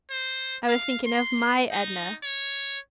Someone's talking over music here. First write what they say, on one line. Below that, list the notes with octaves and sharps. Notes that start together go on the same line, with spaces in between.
I was thinking of MY Edna.
C5
F5
C6
D#4
C#5